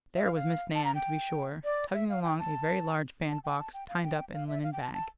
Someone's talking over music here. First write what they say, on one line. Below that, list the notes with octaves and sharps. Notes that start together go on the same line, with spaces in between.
There was Miss Nan, to be sure, tugging along a very large band-box tied up in linen bag.
E5
F5
F5
A5
A#5
G5
D5
E5
F5
G5
A5
A5
G5
A5
G5
F5
G5
F5
E5
F5
G5
A5
A5